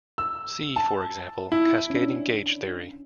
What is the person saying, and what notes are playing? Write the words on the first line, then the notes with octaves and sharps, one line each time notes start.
See, for example, cascading gauge theory.
E6
A5
E4
C#4 D4